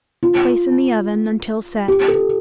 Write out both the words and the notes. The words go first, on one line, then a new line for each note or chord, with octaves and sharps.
Place in the oven until set.
F4
G4
A4